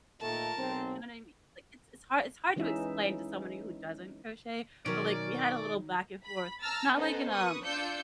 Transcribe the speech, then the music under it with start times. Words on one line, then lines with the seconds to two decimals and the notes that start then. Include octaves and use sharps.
you know I mean? Like, it's it's hard it's hard to explain to somebody who doesn't crochet, but, like, we had a little back and forth, not, like, in a
0.21 A#2 D#3 A3 A#4 A5
0.57 B1 G#2 C4
2.56 E3 G#3 C#4 D#4 E5
4.86 B2 D#3 F#3 C#4 D#4 A#4 D5
6.24 B5
6.61 A5 A#5 E6 F6 A6
6.94 B3 C#4 D#4 A4 C5
7.31 A#4 B4 C#6 D#6
7.64 D4 F4 D5 E6 G6 C#7